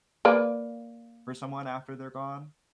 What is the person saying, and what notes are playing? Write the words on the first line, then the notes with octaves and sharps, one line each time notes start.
for someone after they're gone,
A#3 B4 D5